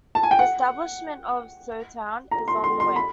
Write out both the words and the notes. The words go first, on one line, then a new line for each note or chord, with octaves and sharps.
The establishment of a Shou Town is on the way.
A5
G#5
G5
F#5
A#5
C6
C6
C6
B5